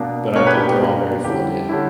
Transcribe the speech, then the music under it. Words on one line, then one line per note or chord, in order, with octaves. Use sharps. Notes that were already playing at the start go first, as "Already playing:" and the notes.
but I think they're all very fun, yeah.
Already playing: B2 A#3 D4
B2 A#3 D4 A#4 C#5
G4 B4
G4
G4
B2 A#3 D4
D3 G3 C#4 E4 G4
D3 G3 C#4 E4